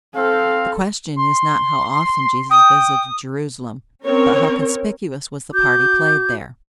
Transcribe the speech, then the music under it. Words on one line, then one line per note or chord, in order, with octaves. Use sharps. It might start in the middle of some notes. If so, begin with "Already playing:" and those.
The question is not how often Jesus visited Jerusalem, but how conspicuous was the part he played there.
C4 A4 F5
C6
G5 D#6
C4 C#4 A#4 C#5
F#4 D6 G6